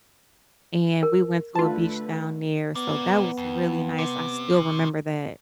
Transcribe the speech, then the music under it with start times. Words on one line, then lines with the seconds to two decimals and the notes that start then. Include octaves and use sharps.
and we went to a beach down there, so that was really nice. I still remember that
1.03 A#4
1.55 D3 A3 F4 B4 A5
2.75 B3 A#4 D5
3.37 F2
3.98 C3